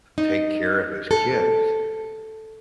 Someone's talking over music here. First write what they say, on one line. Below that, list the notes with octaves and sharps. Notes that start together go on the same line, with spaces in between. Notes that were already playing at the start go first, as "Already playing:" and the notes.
take care of his kids,
D#4
A4